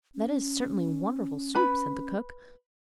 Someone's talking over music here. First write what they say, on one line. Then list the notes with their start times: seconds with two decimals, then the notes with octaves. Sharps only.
'That is certainly wonderful soup!' said the cook.
0.15 C#4
1.55 B4 B5